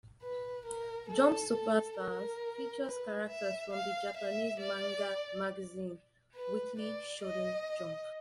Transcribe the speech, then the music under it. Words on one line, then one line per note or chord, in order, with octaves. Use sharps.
"Jump Super Stars" features characters from the Japanese manga magazine "Weekly Shonen Jump".
B4
A#4
A4
A4
A#4
B4
E5
F5
E5
D5
B4
D5
D#5